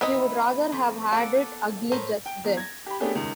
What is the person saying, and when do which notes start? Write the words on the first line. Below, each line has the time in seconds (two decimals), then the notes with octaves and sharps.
He would rather have had it ugly just then.
0.01 D#3 B3 C4 D#4 E4 B4 D#5
0.72 F2
1.12 A#3 A4 D5 F#5
1.92 A2 A#4 C5
2.26 G5
2.44 E2
2.57 G#6 A#6
2.86 G4 B5
3.00 A3 B3 C#4 D4 G4 G#4
3.15 C#2 D#3